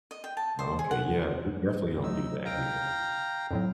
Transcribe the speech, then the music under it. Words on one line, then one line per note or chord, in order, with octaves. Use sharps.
Oh, okay. Yeah. We definitely don't do that here.
D#5
G5
A5
C5
G#4
F#5
F#3 A3 D#4 E6
D#5 F5 G5 A#5 D7
F2 A2 F#3